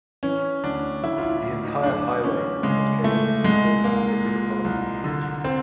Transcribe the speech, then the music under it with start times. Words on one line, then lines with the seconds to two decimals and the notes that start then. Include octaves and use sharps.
The entire highway is located in the Perth Metropolitan Region.
0.23 E3 C#4
0.63 D2 D4
1.03 D2 E4
1.18 F4
1.23 E4
1.43 D2
1.63 D#4
1.83 F#2 D4
2.24 E3 C#4
2.63 C#3 G#3
3.04 E3 A3
3.44 C2 G#3
3.84 C2 A#3
4.25 A#2
4.64 C2
5.04 D3
5.44 C4